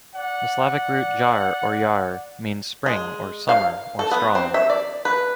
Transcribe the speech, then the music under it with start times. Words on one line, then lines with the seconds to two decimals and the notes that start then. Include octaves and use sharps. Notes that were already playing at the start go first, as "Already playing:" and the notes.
The Slavic root "jar" or "yar" means "spring" or "summer" or "strong".
0.15 D5 F#5
2.86 G#3
3.49 F5
3.99 A4
4.11 B3
4.35 C4
4.54 E5
4.70 D5
5.05 B4